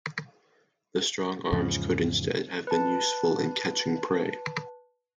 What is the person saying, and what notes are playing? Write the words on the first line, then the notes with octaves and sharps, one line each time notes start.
The strong arms could instead have been useful in catching prey.
E2 G#2 C#3 F3
B4 A5